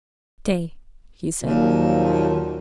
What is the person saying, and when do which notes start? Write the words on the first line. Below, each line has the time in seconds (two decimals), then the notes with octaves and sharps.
"Stay!" he said.
1.44 D#2 A#2 F3 F#3